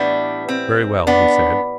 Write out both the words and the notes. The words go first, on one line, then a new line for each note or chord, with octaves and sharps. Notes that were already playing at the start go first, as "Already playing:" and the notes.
"Very well," he said.
Already playing: A2 E3 G3 B3 D4
C4
B3 D4